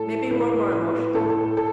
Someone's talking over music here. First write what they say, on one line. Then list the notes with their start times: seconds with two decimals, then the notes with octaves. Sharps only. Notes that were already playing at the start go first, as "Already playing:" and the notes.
maybe we're more emotional.
Already playing: A2 A4
0.31 A2 B4
0.72 A2 B4
1.14 A2 A4
1.30 A4
1.57 A4